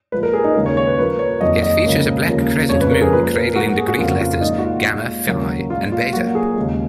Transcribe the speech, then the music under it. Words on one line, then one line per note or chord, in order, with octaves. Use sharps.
It features a black crescent moon cradling the Greek letters, Gamma, Phi and Beta.
A#2 F3 G#3 B4
A#4
G#4
D#4
D#2 C#3 G#3 A#4
C#5
C#5
B4
A#2 F3 A#3 B4
C#5
F2 D#3 F#3 A#3 D#5
D#5
C#2 C#3 F3 A#3
D#2 C#3 F3 A#3
F2 C#3 G#3 C#5
B4
A#4
G#4
A#2 F3 A#3 B4
A#4
G#2 F3 A#3 F#4
G#4
F#4
F2 C#3 F3 A#3 F4
F4
F4
A#2 G#3 D#4
F#4
F4
A#2 G#3
D#2 C#3 F#3 A#3
A#2 G#3 F4
F4
A#2 F#3 A#3 F#4
G#4
D#2 C#3 G#3